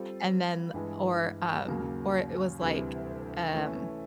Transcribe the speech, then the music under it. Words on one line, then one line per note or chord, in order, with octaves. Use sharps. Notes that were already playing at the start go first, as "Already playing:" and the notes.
and then or, um, or it was like, um,
Already playing: G3 C4 F4 A4
G2 E3 G#3
D#2 C#3 F#3 A#3
D2 C3 E3 G3
E3 A3 C#4